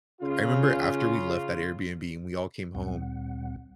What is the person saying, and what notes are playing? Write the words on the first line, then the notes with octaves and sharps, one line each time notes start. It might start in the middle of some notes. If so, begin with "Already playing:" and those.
I remember after we left that Airbnb and we all came home,
C#3 F4
D2 A#2 G3 C4 F#5